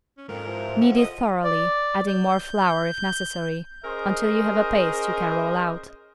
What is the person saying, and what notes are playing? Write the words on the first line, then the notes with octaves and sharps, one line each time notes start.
Knead it thoroughly, adding more flour if necessary, until you have a paste you can roll out.
C#4
F2 G#2 A#4
C3 E3 F3
A4 F#5
D#5
D5
G6
C#4 G#4 A#4 C5 D#5